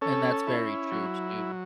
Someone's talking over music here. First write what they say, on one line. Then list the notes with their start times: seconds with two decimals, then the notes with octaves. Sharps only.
And that's very true too.
0.01 C#4 A4
0.47 E4
0.92 F#3